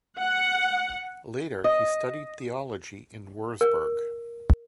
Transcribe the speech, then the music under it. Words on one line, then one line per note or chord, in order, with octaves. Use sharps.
Later he studied theology in Wurzburg.
F#5
D#5
A#4